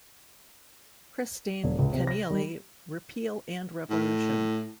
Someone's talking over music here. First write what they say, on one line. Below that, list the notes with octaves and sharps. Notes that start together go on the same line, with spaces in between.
Christine Kinealy 'Repeal and Revolution.
E1
C#2
C3
A#6
G3
A2